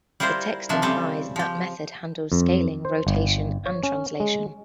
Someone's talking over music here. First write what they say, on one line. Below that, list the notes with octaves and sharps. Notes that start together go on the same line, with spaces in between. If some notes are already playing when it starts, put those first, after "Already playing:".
The text implies that method handles scaling, rotation, and translation.
G3 E4 F4 A#4 C5
C3 F3 D4 E5
C#3 G3 C4 G4 A4
F3 G4
F2
C5
G1
C#5
C#4
G#3